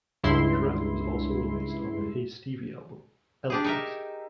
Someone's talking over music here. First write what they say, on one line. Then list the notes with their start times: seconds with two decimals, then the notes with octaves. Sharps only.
The track also was released on the Hey Stevie album, "Eloquence".
0.23 C#2 G2 E4 C6
3.50 D4 G4 G#4
3.64 D#4 A#4 E5